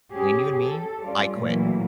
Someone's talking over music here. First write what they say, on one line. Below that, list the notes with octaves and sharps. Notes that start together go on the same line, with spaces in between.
between you and me, I quit.
C#4 G4 G#4
A4
G3 C#4 F4 D5
A#2 E3 F#3 A3 A#3